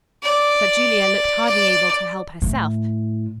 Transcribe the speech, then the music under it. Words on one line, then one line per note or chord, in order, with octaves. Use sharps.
But Julia looked hardly able to help herself.
D5
D5
A2